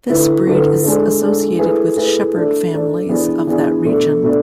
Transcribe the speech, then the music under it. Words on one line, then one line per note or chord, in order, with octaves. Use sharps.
This breed is associated with shepherd families of that region.
D3 A3 E4 B4
D3 A3 E4 B4
G#3 D4 A4
G#3 D4 A4
A3 E4 G#4 B4
A3 E4 G#4 B4
A3 D4 A4
A3 D4 A4
E3 B3 D4 G#4
E3 B3 D4 G#4
B2 A3 D4
B2 A3 D4